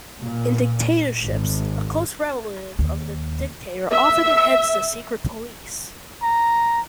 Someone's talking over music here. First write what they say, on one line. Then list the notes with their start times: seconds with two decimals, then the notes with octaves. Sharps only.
In dictatorships, a close relative of the dictator often heads the secret police.
0.20 A#2
1.19 G#1
2.79 D#2
3.94 E5
6.23 A#5